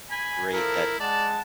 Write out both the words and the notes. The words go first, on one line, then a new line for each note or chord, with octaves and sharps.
great that,
G#5 B5
F3 E4 A4 A#4
G#3 D5 F#5 A5